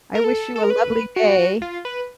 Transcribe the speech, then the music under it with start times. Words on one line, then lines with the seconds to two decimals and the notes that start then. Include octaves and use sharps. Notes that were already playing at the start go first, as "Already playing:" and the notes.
I wish you a lovely day.
0.15 A#4
0.24 A4
0.56 A4
0.63 A#4
0.70 B4
1.16 F#4
1.62 F4
1.85 B4